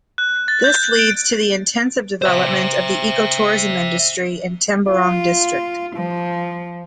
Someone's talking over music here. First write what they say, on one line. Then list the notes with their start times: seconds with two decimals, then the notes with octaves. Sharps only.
This leads to the intensive development of the eco-tourism industry in Temburong district.
0.18 F#6
0.48 A6
0.64 G6
0.99 D7
2.22 C5 E5
4.90 F4
5.95 F3